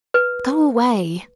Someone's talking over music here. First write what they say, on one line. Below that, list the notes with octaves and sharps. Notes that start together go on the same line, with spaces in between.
Go away!
B4